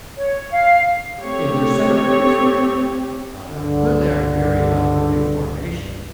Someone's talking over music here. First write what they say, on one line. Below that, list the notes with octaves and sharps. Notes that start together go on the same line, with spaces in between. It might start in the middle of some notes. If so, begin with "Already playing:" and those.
And their set of beliefs back then, uh, clearly are in very, uh, early formation,
C#5
F5
A3 C4 G4 C#5
C#2 G2 D3